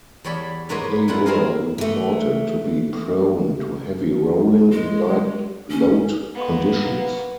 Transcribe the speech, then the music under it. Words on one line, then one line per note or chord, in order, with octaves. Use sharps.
They were reported to be prone to heavy rolling in light load conditions.
E2 G3 C#5 D5 B5
G#2 C3 A#3 B3 C#5 D#5
F#3 G3 E4 F4 F#5
C4 E4 G#4 A#4 D#5 F5
E3 A3
G#3
C#4
A#3 B3